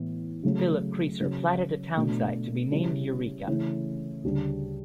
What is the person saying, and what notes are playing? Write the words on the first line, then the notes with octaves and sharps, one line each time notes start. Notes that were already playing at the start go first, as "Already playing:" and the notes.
Philip Creasor platted a townsite to be named Eureka.
Already playing: A2 E3 B3
C#3 F#3 A3 C#4
C#3 F#3 C#4
B2 A3 D4
C#3 G3 C#4 E4
C#3 E3 A3 C#4 E4
D2 C#3 G3 D4